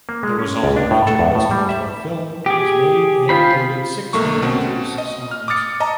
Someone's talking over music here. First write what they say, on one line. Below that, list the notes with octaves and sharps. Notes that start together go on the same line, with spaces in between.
The resulting "Magical Mystery Tour" film was made and included six new Beatles songs.
A#3
G#3
C#4
C#2
D4
A2
A4
E2
A2
G3
E5
G4 G#4
F4 C5 B5
B1 A3 A#3 C#6
B2 C4 C#4 F#4
D#5
F6
D6 D#6 F6 A6 C#7
D#5 A5 A#5